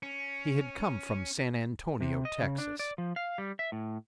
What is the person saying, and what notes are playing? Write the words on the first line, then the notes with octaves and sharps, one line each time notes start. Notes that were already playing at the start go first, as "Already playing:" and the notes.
He had come from San Antonio, Texas.
C#4
C3
D#5
C#3
D4
D5
F3
F5
G3
E5
A2